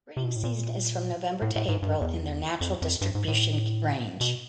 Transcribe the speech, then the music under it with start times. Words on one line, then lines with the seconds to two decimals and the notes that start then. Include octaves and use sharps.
Breeding season is from November to April in their natural distribution range.
0.17 C3
0.24 B2
0.36 A2
0.44 A#2
1.42 A2
1.56 A2
1.68 G#2
1.82 G2
2.01 E2
2.61 F2
2.82 F2
3.01 G2
3.15 G#2
3.28 A2
4.21 B2